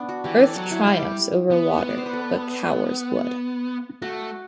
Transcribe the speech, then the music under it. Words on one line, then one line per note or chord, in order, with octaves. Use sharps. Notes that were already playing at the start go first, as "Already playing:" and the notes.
Earth triumphs over water but cowers wood.
Already playing: B3 D4
F#4
E3 G4
A4
F#3 F#4
E4
G3 G4
B3
D5
C5
B4
A4
A3 F#4